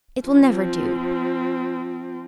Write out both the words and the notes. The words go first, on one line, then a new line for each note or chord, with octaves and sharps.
It will never do.
F3 C4